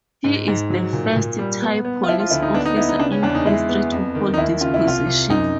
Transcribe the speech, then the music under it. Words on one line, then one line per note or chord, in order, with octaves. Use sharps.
He is the first Thai police officer in history to hold this position.
G#2
G#2
F#3
A#2
A#2
G3
B3
B3
F4
F3 E4
F4
D2 E4
D#4
B3 D4
D#4
B3 E4
D#4
C#3 D4
C#4
E2 D4
D#4
G#3 E4
B3
F2
D#3
D#4
D#2 E4
C#3 F4
E4
C2 F4
C3
F#2 D#4